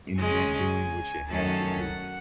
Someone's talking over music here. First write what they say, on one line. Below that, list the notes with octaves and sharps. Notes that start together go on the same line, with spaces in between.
And in that doing what you have to do,
C#3 G#3 C#4 G#5
F#2 D#3 F#3 A3 C#4 A5
F#5